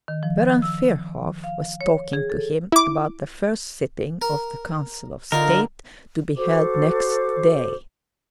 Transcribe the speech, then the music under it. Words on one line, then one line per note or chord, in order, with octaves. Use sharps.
Baron Firhoff was talking to him about the first sitting of the Council of State to be held next day.
D#3
F3
E6
F5
C#5
G#4
A4
E4 D6
A#4
D3 D#4 F4 A#4
F#4 A4 C5 D6